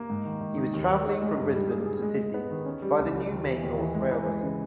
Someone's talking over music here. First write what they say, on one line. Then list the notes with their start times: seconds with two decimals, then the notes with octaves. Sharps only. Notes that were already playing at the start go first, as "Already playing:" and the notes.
He was travelling from Brisbane to Sydney, via the new Main North railway.
Already playing: A#3
0.10 G#2
0.25 D#3
0.41 D#3
0.57 D#4
0.73 D#2
0.89 D#3
1.06 D#4
1.22 G#3
1.37 G2
1.54 G3
1.70 G#4
1.86 G#4
2.02 G#3
2.18 G#3
2.34 B3
2.50 D#3
2.66 C#4
2.82 G3
2.99 C#2
3.14 G3
3.31 D#2
3.46 E3
3.63 D#2
3.78 E3
3.95 G#3
4.11 E3
4.26 G#3
4.43 C#3